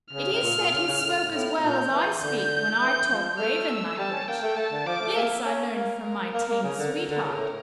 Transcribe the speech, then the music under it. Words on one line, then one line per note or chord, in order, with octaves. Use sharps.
It is said he spoke as well as I speak when I talk Raven language; this I learned from my tame sweetheart.
C#3 F6
A2
A#2
A#2
C#3
C#3
A2
A2
A#2 G6
E3
D3 G6
E3
F3
A3 F6
E6
G3 A5
C#4
A#3 G5
A3
A3 A5
D3
F3 D6
A3
A#3 E5
C#4
A#3 A#4
A#3
A#3
C#3
D3
D3
D3
C#3
A2